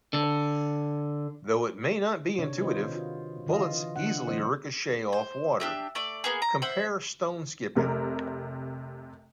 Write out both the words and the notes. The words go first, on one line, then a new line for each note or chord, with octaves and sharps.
Though it may not be intuitive, bullets easily ricochet off water; compare stone skipping.
D3
C3 C4 D4 C#5
D#3 F4 B4 C5 D#5
F4 F#4
D3 E3 F4 D#5 F5
D3 D4 F#5
E3 G3 C4 C5 D#5
C5
D4 G4 E5
A3 D5
A#3 B3 G#4
A#5
C5 E5 F#5
F1 C3 A#4